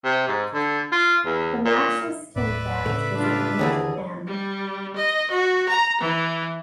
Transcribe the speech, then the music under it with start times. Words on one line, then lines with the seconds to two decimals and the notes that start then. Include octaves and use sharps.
The Matchless tank badge was a winged "M".
0.04 C3
0.28 G#2
0.54 D3
0.92 F4
1.26 E2
1.65 A#2
2.36 D#1 A2 B4 D5 E5
2.86 A2 C#3 A3
3.17 D4 F4
3.59 D#2 D3 E3 G#4
4.26 G3
4.95 D#5
5.30 F#4
5.69 A#5
6.00 E3